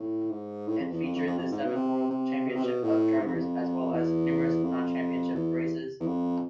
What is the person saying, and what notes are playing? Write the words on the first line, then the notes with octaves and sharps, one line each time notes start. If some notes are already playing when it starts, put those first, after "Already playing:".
It featured the seventh World Championship of Drivers as well as numerous non-championship races.
Already playing: A2
G#2
A2
F2
E2
F2
F2
F2
F2
G#2
B2
C3
C3
B2
C3
B2
A2
G#2
F2
E2
F2
E2
F2
E2
E2
F2